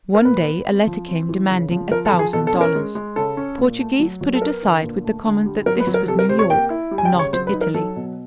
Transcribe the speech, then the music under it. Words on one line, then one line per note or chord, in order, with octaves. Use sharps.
One day a letter came demanding a thousand dollars. Portoghese put it aside with the comment that this was New York, not Italy.
A#4
A#2 B4
B3
C4
F3
C4
E3
C#3
F3
F3 A#4
A4
F3
G#4
B2 A4
A4
C#4
A#4
G#3
G#3
C#3 A4
C#4
A#2
A3
F#3
F#3
A4
B3 A#4
D3
A#2
A3
D3
G3
F#3 A#4
B4
F#3
A#4
C3 A4
A#4
C3 C5
C#5
A#3 G5
E4
G3
G#5
G5
C#3
C#5
F#3 C5
B4
D#4
A#4
F#3 A4
B2